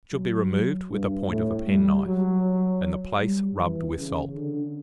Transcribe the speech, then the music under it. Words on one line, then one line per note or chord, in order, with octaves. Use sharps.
It should be removed with the point of a penknife, and the place rubbed with salt.
F#3
G2
A2
G3
F#3
G3
E3
C#3
D3